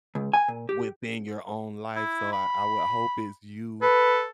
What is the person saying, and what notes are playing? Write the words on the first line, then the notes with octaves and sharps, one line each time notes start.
within your own life. So I I would hope it's you
C#2
G#5
A#2
G4
E4
B5
A4 B4